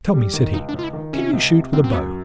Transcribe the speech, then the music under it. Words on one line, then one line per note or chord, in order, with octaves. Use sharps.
"Tell me," said he, "can you shoot with a bow?"
G3
D#3
C#2 D#4
D4
C#2
F4
E4
D#3
C3 C#4
C#2
C3
F#2 C4
C4
F#2 B3